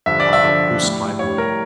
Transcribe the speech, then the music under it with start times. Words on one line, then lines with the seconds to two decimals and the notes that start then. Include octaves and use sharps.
uh, boosts my mood,
0.06 G2 D3 F3 E5
0.20 D5
0.33 E5
0.44 G2 D3 F3
0.81 A2 G3
1.19 A2 G3 C#5
1.38 A#4